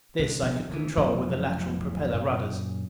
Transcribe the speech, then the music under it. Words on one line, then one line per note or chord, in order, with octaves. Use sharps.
This I could control with the lateral propeller rudders.
C2 D3
A#1 C3 B3
D2 E3
A1 F2 F#3 G3
F#2 A#2